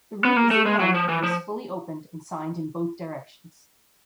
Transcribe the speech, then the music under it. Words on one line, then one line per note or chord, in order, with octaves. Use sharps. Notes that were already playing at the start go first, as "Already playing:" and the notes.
The route is in length and is fully open and signed in both directions.
B3
A#3
A3
G#3
F#3
F3
E3
F3